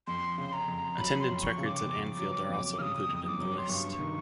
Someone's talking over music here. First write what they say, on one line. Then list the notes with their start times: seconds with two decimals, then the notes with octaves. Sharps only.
Attendance records at Anfield are also included in the list.
0.07 F2 C6
0.38 C#3
0.53 A#5
0.68 F2
0.98 F#3 B5
1.20 C6
1.28 F2
1.43 C#6
1.58 C#3
1.66 D6
1.88 F2
2.18 F#3
2.49 F2
2.78 C#3 D#6 F6
3.09 F2
3.24 D#6
3.28 D6
3.39 F#3
3.58 C6
3.69 G2 C#6
3.99 D#3